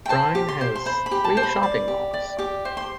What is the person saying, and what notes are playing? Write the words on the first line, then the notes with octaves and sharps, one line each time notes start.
Bryne has three shopping malls.
G5
C5 A5
G4
C6
C5
C6
C5 B5
B5
G4
A5
C5
B5
D5
G4
D5
G4 D6
C5
C6